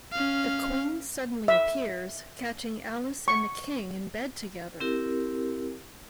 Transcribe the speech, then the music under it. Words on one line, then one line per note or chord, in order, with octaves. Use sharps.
The queen suddenly appears, catching Alice and the king in bed together.
C#4 F5
E5
C#6
C4 E4 G4 A#4